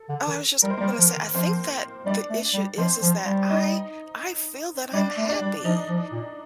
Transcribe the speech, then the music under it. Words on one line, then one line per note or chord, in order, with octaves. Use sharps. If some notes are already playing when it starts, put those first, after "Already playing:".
Oh, I was just gonna say, I think that the issue is, is that I I feel that I'm happy.
Already playing: A4
D3
D#3
G3 A#4
C5
G3 A#3 A#4
F3
D#3
F3 C4 C5
G3 D4 D5
A3
G3
F3 C4 C5
F3
G3
D#4 D#5
G3 D4 D5
A3
D4 D5
G3
F3 D#4 D#5
F3
A#2